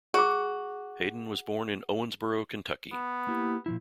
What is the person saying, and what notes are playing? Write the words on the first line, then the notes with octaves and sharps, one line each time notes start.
Hayden was born in Owensboro, Kentucky.
F#4 G#4 D6
B3
A#3 E4 G4
A#2 F3 E4